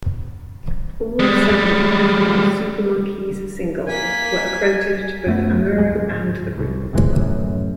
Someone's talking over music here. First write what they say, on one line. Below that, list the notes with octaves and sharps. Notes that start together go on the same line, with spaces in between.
All seven original Super Monkey's single were accredited to both Amuro and the group.
G3 G#3
A#3 G#5 B6
F#2 A3 B3
D1 G#2 G#3
C2
F1 B1 E3 G#3
A1 F#2